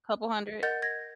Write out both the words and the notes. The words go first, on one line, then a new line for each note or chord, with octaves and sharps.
couple hundred.
A#4 D#5 F#5 G6 A6
G#6 A#6